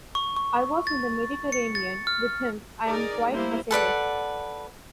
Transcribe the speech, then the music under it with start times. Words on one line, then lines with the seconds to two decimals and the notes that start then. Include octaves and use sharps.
I was in the Mediterranean with him; I am quite a sailor.
0.15 C#6
0.36 C#6
0.87 A6
1.52 C#7
1.75 A6
2.07 F6
2.84 D#4 G#4 A#4 D5
3.29 G3 A3 A#3 E4 C5
3.71 A4 B4 D5 F#5